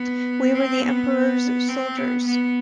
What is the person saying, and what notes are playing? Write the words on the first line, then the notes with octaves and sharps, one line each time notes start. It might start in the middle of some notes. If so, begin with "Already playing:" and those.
We were the emperor's soldiers.
Already playing: B3
C4
B3
C4
B3
B3